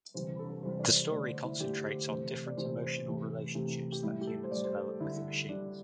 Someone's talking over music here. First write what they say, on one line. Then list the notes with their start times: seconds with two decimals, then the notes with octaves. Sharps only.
The story concentrates on different emotional relationships that humans develop with machines.
0.14 C3 E3 G3 C5
0.39 A4
0.63 C3 E3 G3 C5
0.79 D5
0.96 C5
1.12 D3 A3 D5
1.28 C5
1.44 E4
1.60 D3 A3 G4
1.85 C5
2.09 C3 E3 A3 C5
2.46 D5
2.57 C3 E3 A3 C5
2.82 C5
3.06 C3 E3 A3
3.55 C3 E3 A3
3.92 G4
4.03 A2 G3 E4
4.21 G4
4.27 A4
4.44 C5
4.51 A2 D5
4.56 G3
4.64 C5
4.76 A4
4.89 A4
5.00 D3 G3 E4
5.17 A4
5.49 D3 G3 D4